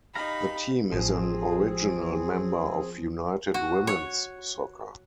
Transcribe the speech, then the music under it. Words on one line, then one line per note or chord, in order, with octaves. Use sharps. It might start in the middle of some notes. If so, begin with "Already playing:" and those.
The team is an original member of United Women's Soccer.
D#4 G4 F5 A#5 B5
A1 F3 C4 G#4
F#4
C#5